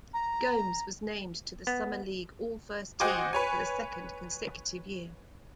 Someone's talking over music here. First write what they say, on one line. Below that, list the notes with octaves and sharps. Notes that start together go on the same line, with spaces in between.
Gomes was named to the summer league all-first team for the second consecutive year.
A#5
B3
F#4 C5 D#5 G5 G#5 D6
B4 C#5 G#5